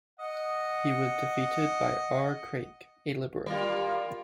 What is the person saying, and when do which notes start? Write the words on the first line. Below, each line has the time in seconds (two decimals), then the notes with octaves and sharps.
He was defeated by R. Craik, a Liberal.
0.19 D#5 F#5
3.46 G3 A#3 F4